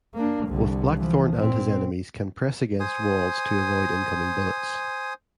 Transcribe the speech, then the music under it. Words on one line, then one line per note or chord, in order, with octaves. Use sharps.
Both Blackthorne and his enemies can press against walls to avoid incoming bullets.
A#3 D4
C2 D3
E3 F3
A#2 C4
C5 G#5 D#6